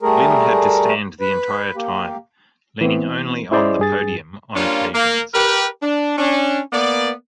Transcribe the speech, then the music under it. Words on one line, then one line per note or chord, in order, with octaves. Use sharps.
Lim had to stand the entire time, leaning only on the podium on occasions.
G3 A3 G#4 A#4
B4
A#3 G4
E3 B3 C4
C#4 E4 G#4 C5 D5 D#5
G2 G#4 A6
G3 A#3 C#4 D4 F4
A#3
G4 A#4 B4
D4
C#4 D4
A#3 B3 D5